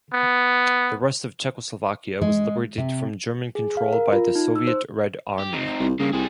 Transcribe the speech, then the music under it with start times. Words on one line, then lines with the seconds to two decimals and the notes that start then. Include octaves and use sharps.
The rest of Czechoslovakia was liberated from German control by the Soviet Red Army.
0.13 B3
2.21 G#3
2.78 C3
3.55 G#4
3.77 F5
3.93 A#4
4.13 F4
4.35 D#4
4.56 E6
4.67 C5
5.39 G4
5.53 C4 D#4
5.80 C2
6.00 G2 C#3 A#3
6.13 C2 G3 G#4